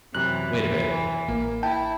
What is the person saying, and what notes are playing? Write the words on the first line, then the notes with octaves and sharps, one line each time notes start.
Wait a bit....
F#2 C3 E3 F#6
A1 A#3
E4 G5 A5